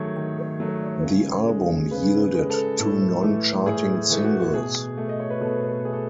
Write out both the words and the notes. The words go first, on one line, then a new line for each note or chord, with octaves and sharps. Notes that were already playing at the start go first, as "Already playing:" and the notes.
The album yielded two non-charting singles.
Already playing: D#3 F#3 A3 G#4 C#5
D#3
F#3 A3
C#3
G#3
C#3 B4
B4
G#3
A4
A2 A4
E3 A3
A2 G#4
G#4
E3 A3
F#4
B2 G#4
A3
D#5
C#5
B4
B2 A4
A3 G#4
A4